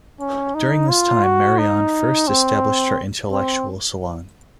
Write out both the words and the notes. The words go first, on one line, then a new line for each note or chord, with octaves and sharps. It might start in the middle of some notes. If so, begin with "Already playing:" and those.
During this time, Marianne first established her intellectual salon.
C#4
D#4
F4
F#4
D#4
C4
C4